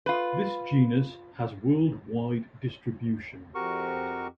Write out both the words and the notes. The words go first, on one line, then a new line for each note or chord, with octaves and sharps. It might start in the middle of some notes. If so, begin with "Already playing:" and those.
This genus has worldwide distribution.
F4 B4
F2 C4 F#4 G4 A#4 C#6